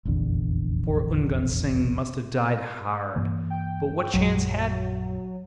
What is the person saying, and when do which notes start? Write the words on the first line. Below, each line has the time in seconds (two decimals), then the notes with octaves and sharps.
Poor Ungan Singh must have died hard; but what chance had he?
0.05 F1 A#1 E2 D3
3.16 G2 E3 A#3
3.50 G5
4.14 A#1 F#2 F#3